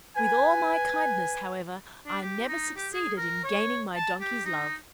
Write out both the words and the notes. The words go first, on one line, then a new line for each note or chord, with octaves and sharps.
With all my kindness, however, I never succeeded in gaining my Donkey's love.
B4 G#5
D4
G4
D#4
G4
G#4
A#4
C#5
A5
G4
D#4